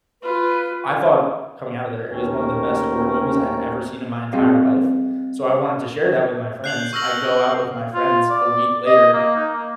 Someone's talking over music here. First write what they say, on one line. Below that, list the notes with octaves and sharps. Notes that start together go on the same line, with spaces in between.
I thought, coming out of there, it was one of the best horror movies I'd ever seen in my entire life, so I wanted to share that with my friends. I go out with my friends a week later,
F4 B4
D#2 A3 C#4 A#4 C5 G5
G3 C4 F#4 G#4 D#5 F5
F#6 G6 C7 F7 F#7
C#6 E6 F6 A#6 F#7
F4
D5
D#5
A#3
D#4
A#3